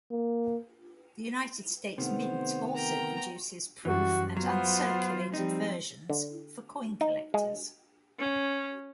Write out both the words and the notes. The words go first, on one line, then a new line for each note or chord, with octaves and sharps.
The United States Mint also produces proof and uncirculated versions for coin collectors.
A#3
C3 D#3 A3 B3 C5
A#4 G5 A#5
F#2 E3 G3 F#4
F#3 B3 F4 C5
F3 G3 C4 D#4
D3
D#4
G#3
C#4